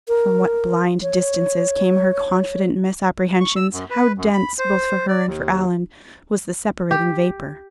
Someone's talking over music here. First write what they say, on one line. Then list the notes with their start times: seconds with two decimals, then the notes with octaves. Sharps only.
From what blind distances came her confident misapprehensions, how dense, both for her and for Allan, was the separating vapor!
0.08 A#4
1.02 C#5
3.40 C#6
3.56 E6
3.73 F#2
3.90 B4
4.18 F#2
4.33 B5
4.59 C5
5.08 D5
5.27 D#2
6.91 G4